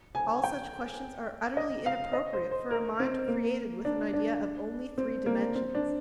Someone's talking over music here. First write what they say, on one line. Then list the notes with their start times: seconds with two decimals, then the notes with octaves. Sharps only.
All such questions are utterly inappropriate for a mind created with an idea of only three dimensions.
0.15 G#5
0.44 G5
1.57 D#5
1.86 F5
2.13 D#5
2.33 C5
2.51 C5
2.71 A#4
3.00 C4
3.28 A#3
3.85 D4
4.13 D4
4.98 C4
5.26 A#3
5.55 C4
5.75 D4